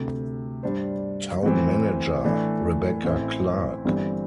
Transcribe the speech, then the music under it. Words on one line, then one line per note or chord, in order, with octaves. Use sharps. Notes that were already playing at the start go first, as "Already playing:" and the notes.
Town Manager: Rebecca Clark.
Already playing: D2 C3 A3
G2 G3 D4 C5
A2 E3 C4
A2 E3 A3 D4
A1 A2 E3 C4 E4
G1 G2 E3 G3 C4